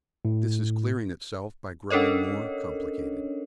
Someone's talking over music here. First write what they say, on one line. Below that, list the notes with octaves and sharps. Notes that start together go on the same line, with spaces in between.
"This is clearing itself by growing more complicated."
A2
C#4 D4 A4 A#4 C#5 D#5